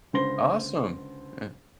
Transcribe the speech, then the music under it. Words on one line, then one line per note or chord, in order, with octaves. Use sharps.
Awesome. Eh.
C#2 D3 C5 C6 A#6 G7